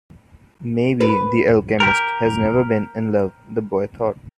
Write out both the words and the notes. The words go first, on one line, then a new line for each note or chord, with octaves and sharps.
Maybe the alchemist has never been in love, the boy thought.
B4
G4 A#4